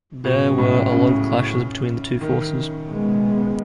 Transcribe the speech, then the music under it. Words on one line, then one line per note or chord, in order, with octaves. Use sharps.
There were a lot of clashes between the two forces.
G#2 B2 F#3 C#4
A2
C#3
D#3
B2 G#3 B3